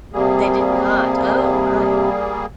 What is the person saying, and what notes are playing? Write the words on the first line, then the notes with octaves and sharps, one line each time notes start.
They did not. Oh my.
C3 G3 A#3 G#4